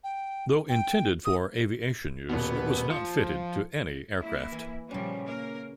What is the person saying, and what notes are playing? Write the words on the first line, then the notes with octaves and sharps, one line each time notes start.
Though intended for aviation use, it was not fitted to any aircraft.
G5
G5
D#6
D#1 B2 B3
F3 C#7
A#3 E4
E3 G#5
A#2 C#3 F3 G3 C#4
A#3 A#4